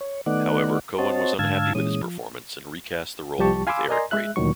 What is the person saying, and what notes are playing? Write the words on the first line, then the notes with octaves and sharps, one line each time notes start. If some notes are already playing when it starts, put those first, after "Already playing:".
However Cohen was unhappy with his performance and recast the role with Eric Braeden.
C#5
D#3 A3 B3 D#4 D5 F#5
C4 F#4 C5 C#5 D#5 A5
G#2 D3 F5 A5 E6 G#6
A#2 E3 G#3 C#4 D#6
F3
C2 F3 G3 G4 A5 C#6
F5 G#5 B5 C6 D6 E6
A#4 D5 D#5 G#5 A#5 C6
G#3 E5 F#6
D2 A#2 D#3 F#3 C#6